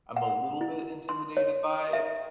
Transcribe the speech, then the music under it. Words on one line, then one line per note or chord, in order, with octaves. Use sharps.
I'm a little bit intimidated by it,
F#5
E4
C6
C#5
E5